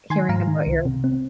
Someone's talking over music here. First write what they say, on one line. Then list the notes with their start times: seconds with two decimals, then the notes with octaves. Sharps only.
hearing about your
0.10 D#3 G#5 C6
0.29 G#2 F5 A#5
0.47 D#3
0.67 C2
0.85 C3
1.04 C4